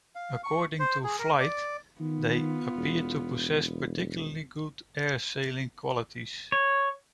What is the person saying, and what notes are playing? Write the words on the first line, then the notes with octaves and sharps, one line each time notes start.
According to "Flight", they "appear to possess particularly good air-sailing qualities".
F5
C#6
C5
G#4
A#4
D5
D#3 B3 F4
E1
C#5